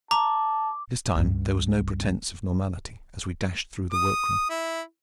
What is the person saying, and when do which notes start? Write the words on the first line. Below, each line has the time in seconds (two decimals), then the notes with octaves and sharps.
This time there was no pretense of normality as we dashed through the workroom.
0.11 A5 A#5 D6
1.15 C#2 G2
3.92 D#6
4.50 E4